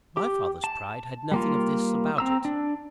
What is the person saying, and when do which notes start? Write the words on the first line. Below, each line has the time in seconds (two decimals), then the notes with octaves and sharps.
My father's pride had nothing of this about it.
0.17 G4
0.64 A5
1.32 G3 A#3 F4
2.18 C4 A#5 E6
2.45 D4